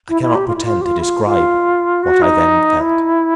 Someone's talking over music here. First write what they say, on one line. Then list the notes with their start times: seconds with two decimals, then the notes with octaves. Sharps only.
I cannot pretend to describe what I then felt.
0.09 E4
0.22 E4
0.35 G4
0.47 F4
0.56 E4
0.64 F4
0.81 G4
0.85 F4
0.98 E4
1.02 F4
1.25 F4
2.03 F#4
2.22 D#4
2.80 E4